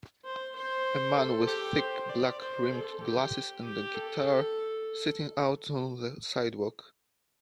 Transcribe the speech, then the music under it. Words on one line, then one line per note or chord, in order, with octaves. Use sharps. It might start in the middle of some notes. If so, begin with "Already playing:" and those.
A man with thick black rimmed glasses and a guitar sitting out on the sidewalk.
C5
C5
A4
G4
C5
D5
C5
A4
G4
G4
A4